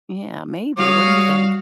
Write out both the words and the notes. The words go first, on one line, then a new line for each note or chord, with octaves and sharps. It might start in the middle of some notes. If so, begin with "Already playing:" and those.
Yeah, maybe, what do you think?
G3 F#4 C#5 F5 D#6